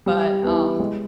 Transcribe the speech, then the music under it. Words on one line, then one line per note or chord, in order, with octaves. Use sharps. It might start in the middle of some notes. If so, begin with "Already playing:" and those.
but, um
G3
B3 E4
G#3